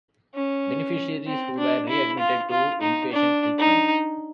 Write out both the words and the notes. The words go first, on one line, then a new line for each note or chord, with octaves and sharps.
Beneficiaries who were readmitted to inpatient treatment.
C#4
C4
D4
E4
F4
F4
D#4
D4
D#4